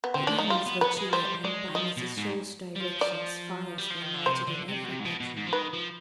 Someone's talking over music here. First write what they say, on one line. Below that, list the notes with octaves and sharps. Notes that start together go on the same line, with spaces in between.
The evenings were chilly, and by Mrs. Shaw's directions fires were lighted in every bedroom.
B3
D3 C4
D#3 D4
F3 D#4
G3 F4
B3
B3 B4
G#3
F3
G3 C5
G#3 D5
D#3
F3 D#5
B2
G#2
G3
F3
D5
G3
F3
D#3
D3
C3 C5
D3
C3
B2
C3
G#2
B2
B2
G#2
F3
D#3 B4
F3